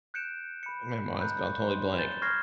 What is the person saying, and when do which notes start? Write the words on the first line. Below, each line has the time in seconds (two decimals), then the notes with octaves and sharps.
my mind's gone totally blank.
0.14 F#6 G6 C#7 D7 E7
0.63 B5 C#7
1.19 A#5 B5 F#6 G6
1.68 C6
1.98 G#5 G6 A6 E7 G7
2.22 G#5 C#6 F6 G#6 A#6 C7